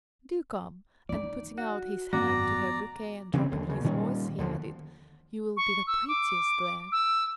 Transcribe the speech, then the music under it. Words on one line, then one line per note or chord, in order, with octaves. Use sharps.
Do come!" and putting out his hand to her bouquet and dropping his voice, he added, "You will be the prettiest there.
D#4 F4 D5
F#4
G#1 F#2 B3 F#4 D5 A#5 A#6
C#3 E3 G#3 C4
D#2 D3
D#2 C#3
A#2 D#3 G3 C#4
D#2 D3 F3
C#6
E6
D6
E6